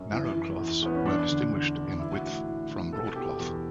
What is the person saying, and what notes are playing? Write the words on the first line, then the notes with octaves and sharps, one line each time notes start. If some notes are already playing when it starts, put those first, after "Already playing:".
Narrow cloths were distinguished in width from Broadcloth.
Already playing: F#2 C#4
E3
E3
E2
E2 B3
C#4
E2 D4
D3
D3
D3
E3 E4
F#4
A2 E4
A2
E3
B2 A4
B2 G4
E2